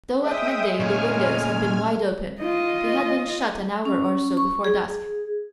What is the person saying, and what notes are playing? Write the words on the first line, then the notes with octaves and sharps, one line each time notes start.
Though at midday the windows had been wide open, they had been shut an hour or so before dusk.
G#3 E5 G5 D#6
A#2 A3 C#4 G#5 F6
F4 D#5
C#4
C#6
G#4